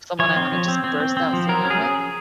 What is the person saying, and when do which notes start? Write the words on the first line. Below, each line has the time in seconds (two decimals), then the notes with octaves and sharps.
someone I wanna just burst out singing with.
0.19 F3 C#5
0.36 C4
0.52 F3
0.68 C4
0.84 C4
1.00 C4
1.17 C4
1.33 F3
1.49 F#3 A#4
1.65 C#4
1.70 G#4